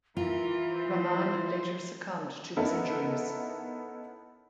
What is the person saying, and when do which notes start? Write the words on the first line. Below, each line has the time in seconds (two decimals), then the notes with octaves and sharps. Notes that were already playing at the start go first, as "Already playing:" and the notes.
Raman later succumbed to his injuries.
0.17 E3 E4 F4 A#4
0.72 C5
2.57 B3 C#4 D#4 E4 A4 A#4